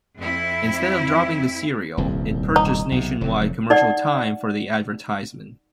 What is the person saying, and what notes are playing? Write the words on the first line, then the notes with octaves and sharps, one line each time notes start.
Instead of dropping the cereal, it purchased nationwide commercial time for the advertisement.
F2 C4 E4
D#1 C2 F2
D#4
B1 C3
F1 F2 F#3
D#4 D5 F#5